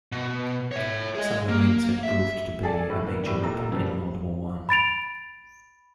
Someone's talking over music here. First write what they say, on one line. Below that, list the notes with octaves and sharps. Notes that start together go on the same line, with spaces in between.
Submarines had proved to be a major weapon in World War One.
B2
C#5 E5
G#4 D#5
A#3
E5
G#4 A4 D5 G#5 A5
G1 A2
D3 A#3 B3
A2 E3 G3
F1 A#2 A#5 E6
A#2 C#3 F3 G3 A#3 B3
B5 A6 D7 F7